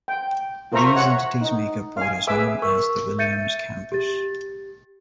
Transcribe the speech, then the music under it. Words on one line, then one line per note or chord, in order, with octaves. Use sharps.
These entities make up what is known as the Williams Campus.
G5
F4 A#4 C5 E5 A#5 C#6
C#5 F#5 C#6
D#4
F5 G#5
G#4 B4 E5 G#5 D6
A#4 C#6 E6
E5 G6 A6 C#7 D#7
G4 A6